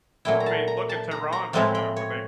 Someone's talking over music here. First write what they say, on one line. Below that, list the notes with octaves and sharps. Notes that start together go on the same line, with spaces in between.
I mean, look at Tehran right now when they
A#2 F#3 A3 C#4 E4 G5
A#5
A5
A#5
A5
A#5
A#5
A2 F3 G#3 C4 E4 A5
G5
C#5